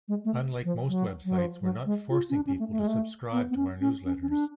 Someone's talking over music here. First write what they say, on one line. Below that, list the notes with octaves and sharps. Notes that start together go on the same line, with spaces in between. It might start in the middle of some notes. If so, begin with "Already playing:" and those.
Unlike most websites, we're not forcing people to subscribe to our newsletters.
G#3
A3
F3
F#3
F#3
F3
F#3
G#3
F4
C#4
D4
C#4
A3
A3
G#3
A3
B3
B3
C#4
C#4
C#4
C#4
D4